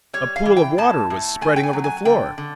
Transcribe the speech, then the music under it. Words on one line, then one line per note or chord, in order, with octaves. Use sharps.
A pool of water was spreading over the floor.
G3 C#5
F5
E3
G5
A2 A5
A2
A3 G#5
G5
G#5
F#3
G#5
D3 G5
D3